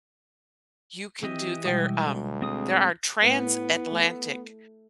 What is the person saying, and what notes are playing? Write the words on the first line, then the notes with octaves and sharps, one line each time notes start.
you can do their, um there are transatlantic
E3 C4 G4 D#5
B2 G3 G#3
D2
C4 G#4 D#6
A2 B3
A3